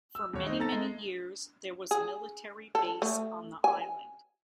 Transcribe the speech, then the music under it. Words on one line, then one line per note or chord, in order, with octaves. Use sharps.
For many, many years there was a military base on the island.
E6
D#1 C#5
C4 D#4
A4 A#5 A6
G#3
G#4
A4
A3
G#5